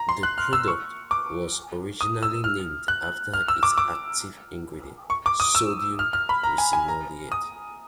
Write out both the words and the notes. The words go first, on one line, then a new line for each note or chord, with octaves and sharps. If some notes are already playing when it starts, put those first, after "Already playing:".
The product was originally named after its active ingredient, sodium ricinoleate.
Already playing: A#5
C6
F#6
F6
E6
C#6
D6
D#6
E6
F6
F#6
F6
E6
D6
D6
C#6
D6
D#6
E6
F6
F6
B5
A#5
G#5
G#5
A#5
D#6